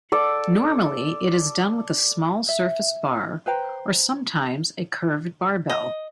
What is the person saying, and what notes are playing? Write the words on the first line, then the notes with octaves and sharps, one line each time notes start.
Normally it is done with a small surface bar or sometimes a curved barbell.
A4 D5
E5
B4 C5 G5 A#5
D#5